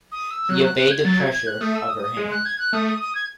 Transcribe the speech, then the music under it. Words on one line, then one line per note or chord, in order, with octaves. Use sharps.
He obeyed the pressure of her hand.
D#6
E6
F#3 F#6
F#6
F#6
G#6
F#3 A6
G#6
G#6
F#6
A3 D#6
E6
D#6
D#6
G#3
F#6
G#6
F#6
A3 D#6
D#6
D#6
G#6